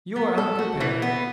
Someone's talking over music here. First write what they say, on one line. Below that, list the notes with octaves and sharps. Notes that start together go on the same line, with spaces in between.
You are unprepared.
B3
A4
F#4
E3
B3